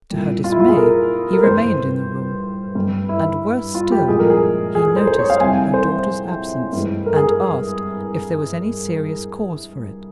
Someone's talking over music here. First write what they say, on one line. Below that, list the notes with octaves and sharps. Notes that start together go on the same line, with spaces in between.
To her dismay he remained in the room; and, worse still, he noticed her daughter's absence, and asked if there was any serious cause for it.
C2 A#2 G3
F4
E4
F4
G#4
A#4
A#4
G2 E3 G3 C5
G2 G3
E4
F4
G4
C2 A#2 F3 G#3 G#4
A#4
G#4
G#4
C5
C5
C#5
F5
C2 C3 G3 G#5
C5
G2 E3 G#3
A#4
G#4
A#4